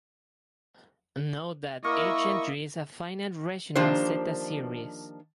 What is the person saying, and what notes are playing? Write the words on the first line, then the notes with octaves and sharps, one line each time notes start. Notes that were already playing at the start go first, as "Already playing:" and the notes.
Note that each entry is a finite rational zeta series.
A#3 E4 A#4 D#5 E5 C#6
D#3 F3 A#3 D4 G4 C5